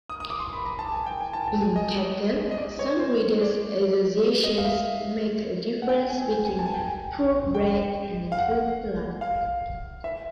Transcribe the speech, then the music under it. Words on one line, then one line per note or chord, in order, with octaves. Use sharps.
In cattle, some breeders associations make a difference between "purebred" and "full blood".
D#6
D#6
D6
C6
B5
A#5
A5
G#5
G5
G#5
A5
A5
G#5
D#5
D#5
D5
C#5
C5
D5
D#5
F5
E5
F#5
G5
G#5
G5
G#5
A5
G#5
G5
G#5
G5
F5
F#5
F5
E5